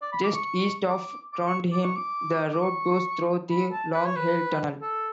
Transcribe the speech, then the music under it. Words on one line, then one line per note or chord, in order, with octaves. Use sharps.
Just east of Trondheim, the road goes through the long Hell Tunnel.
D5
B5
D6
C#6
C#6
D6
D6
C#6
D6
C#6
D6
D6
C#6
B5
A5
B4
C#5
B4
A4